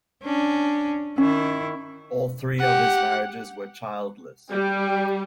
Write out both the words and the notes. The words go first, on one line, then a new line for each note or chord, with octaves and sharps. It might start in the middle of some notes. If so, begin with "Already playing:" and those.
All three of his marriages were childless.
C#4 D4
D#3 C#4 E4
G4 F#5
G3 G5